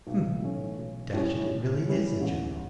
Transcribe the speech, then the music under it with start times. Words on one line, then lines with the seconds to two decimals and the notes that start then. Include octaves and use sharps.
Hm, dash it, it really is a general!
0.07 B1
0.42 A2 E3 A3 C#4
0.77 B1
1.14 A2 G3 C#4 E4
1.49 A2
1.85 E3 G3 C#4 E4
2.22 A1